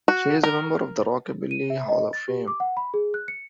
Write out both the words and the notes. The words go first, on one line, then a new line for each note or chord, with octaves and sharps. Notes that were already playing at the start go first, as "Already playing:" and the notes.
She is a member of the Rockabilly Hall of Fame.
F#4
A#4
D#7
E5
D#5
A6
G4
D6
F#5
B5
G#4
F#6
C#7